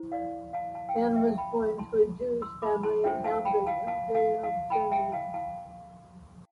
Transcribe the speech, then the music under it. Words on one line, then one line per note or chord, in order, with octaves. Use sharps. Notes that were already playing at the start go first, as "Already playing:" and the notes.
Dehn was born to a Jewish family in Hamburg, Imperial Germany.
Already playing: E4 C5
D5 F5
F5 A5
F5 A5
G5
F5 A5
E5 G5
A5
G5 B5
A5 C6
C6 E6
B5 D6
A5 C6
D4 F4 C5 E5 G5
F5 A5
G5 B5
F5 A5
F5 A5
F5 A5
F5 A5
G5 B5
E5 G5
F5 A5
F5 A5